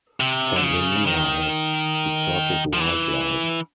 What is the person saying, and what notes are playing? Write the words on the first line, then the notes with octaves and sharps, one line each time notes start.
Tanzania has exotic wildlife.
C3
D3
C#3
D#3
F3
E3